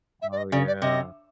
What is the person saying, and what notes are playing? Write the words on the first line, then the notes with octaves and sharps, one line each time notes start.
Oh, yeah.
E5
D5
D#5
C#3 D5
D5
C3 D#5